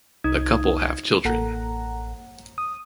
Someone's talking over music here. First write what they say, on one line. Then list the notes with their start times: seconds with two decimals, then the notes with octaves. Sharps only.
The couple have children.
0.24 C2 D#4 D#6 G#6
1.24 A1 A#3 A4 F#5 A#5
2.58 D#6